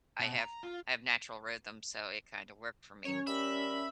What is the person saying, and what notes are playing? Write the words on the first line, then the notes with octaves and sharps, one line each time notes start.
I have I have natural rhythm, so it kinda worked for me.
B2
A#5
F4
F#2 D#3 F#3 C#4 C#5
G3 G4 A#4 E5 B5